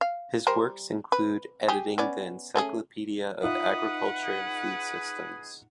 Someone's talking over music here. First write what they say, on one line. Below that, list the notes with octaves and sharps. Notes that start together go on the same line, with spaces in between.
His works include editing the "Encyclopedia of Agriculture and Food Systems".
F5
G3 A#4 C5
B4
G4 G#4
B3 C#4 D5
A3 C#4 G#4
D#4 F4 B4 E5 F#5 D#6
G#4